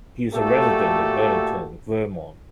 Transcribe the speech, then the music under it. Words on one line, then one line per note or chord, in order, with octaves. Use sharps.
He is a resident of Burlington, Vermont.
A#2 A3 F#4 G4 A4